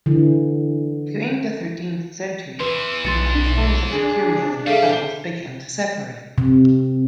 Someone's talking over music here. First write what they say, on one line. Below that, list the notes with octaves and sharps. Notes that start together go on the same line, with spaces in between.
During the thirteenth century the two forms of the "curia" themselves began to separate.
D3 E3
E2 E3 B4 C6
B1 C6 A6 C#7
D4 G#4
G3 G#4 A4 E5 F5
C3